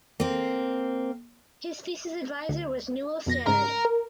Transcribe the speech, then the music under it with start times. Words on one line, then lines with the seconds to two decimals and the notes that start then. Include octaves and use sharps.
His thesis advisor was Newell Stannard.
0.20 A#3 C4
2.49 D2
3.26 F2 B2 A#6
3.47 G#2 C#3 A#4
3.85 A#4